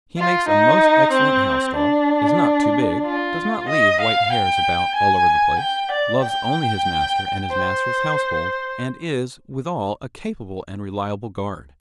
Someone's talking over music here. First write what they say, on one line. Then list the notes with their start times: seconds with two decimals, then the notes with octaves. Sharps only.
He makes a most excellent house-dog, is not too big, does not leave white hairs about all over the place, loves only his master and his master's household, and is, withal, a capable and reliable guard.
0.17 F4
0.49 D#4
1.13 C4
1.77 D4
3.04 F4
3.68 D#5
4.00 F5
4.32 G5
4.95 G#5
5.59 G5
5.91 D5
6.23 G5
7.50 C5